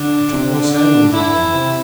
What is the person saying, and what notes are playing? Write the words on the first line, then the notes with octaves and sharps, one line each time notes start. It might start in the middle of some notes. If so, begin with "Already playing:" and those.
You took no soundings even.
Already playing: D3 D4
C3
D3
D4
D3 E4
E3
C3